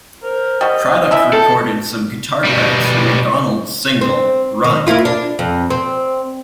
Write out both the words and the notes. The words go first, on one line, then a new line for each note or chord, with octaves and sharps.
Cradock recorded some guitar parts for Macdonald's single "Run".
A#4 C5
G3 F#4 D#5
C#4 E4 E5
A4 G5
B2 G3
C4
D#3
A#3 E4 F4
D4
F2
C4